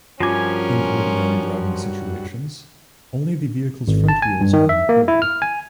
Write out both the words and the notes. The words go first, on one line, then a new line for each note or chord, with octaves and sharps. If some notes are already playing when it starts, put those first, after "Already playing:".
In ordinary driving situations, only the vehicle's front wheels are employed.
G2 F3 C#4 F4 F#4 A#4 G#5 D6
G#1
A5
G#5
G2
D#3
E5
A#3
E4
F6
G#5